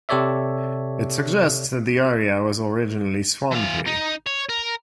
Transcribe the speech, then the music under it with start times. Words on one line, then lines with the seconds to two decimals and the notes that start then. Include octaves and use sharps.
It suggests that the area was originally swampy.
0.09 C3 G4 A4 C#5 D5 E5
3.52 E3 F5
3.87 D#4
4.26 C#5
4.49 A#4